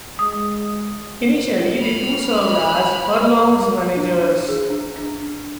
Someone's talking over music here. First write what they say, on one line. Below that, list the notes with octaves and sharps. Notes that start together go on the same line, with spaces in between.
Initially, the two served as Furlong's managers.
G#3 D#6
B5 F6
D4
G#4
D4
D4